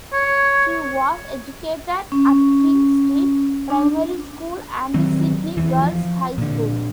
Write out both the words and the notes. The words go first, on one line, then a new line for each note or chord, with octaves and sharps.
She was educated at King Street Primary School and Sydney Girls High School.
C#5
C#4
D4
D#3 F#3 C4
E2 E3
F3
A#2 D3